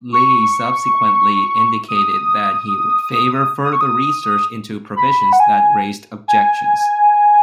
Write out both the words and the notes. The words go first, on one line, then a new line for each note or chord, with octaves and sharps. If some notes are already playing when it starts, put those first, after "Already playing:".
Leahy subsequently indicated that he would favor further research into provisions that raised objections.
C#6
D#6
D#6
C#6
D#6
B5
F#5
G#5
G#5